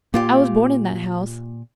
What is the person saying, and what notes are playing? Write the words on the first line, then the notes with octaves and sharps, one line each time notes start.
I was born in that house.
A#2 A#3 F4 G4